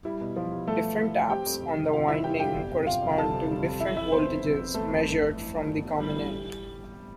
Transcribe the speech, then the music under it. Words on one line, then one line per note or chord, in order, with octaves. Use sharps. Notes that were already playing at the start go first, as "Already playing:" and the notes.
Different taps on the winding correspond to different voltages, measured from the common end.
G3 E4
B2
E2 F3 F4
G3
G3 A3 A4
B3
E2
B3
C4 G4 G5
F2
C3
C3
C3 F4 F5
C4 E4 E5
G3 G4 G5
F2 G4 G5
G1
C3
G1 F4 F5
F2
G3 A4 A5
C3
G3
F2
E3 E4 E5
F2 E4 E5
B3 C4 C5
F2
F2
B3
A3 B3 A4
F2
G2
G2
E3
G2
G1
G1
E3 G3 G4
E3
A2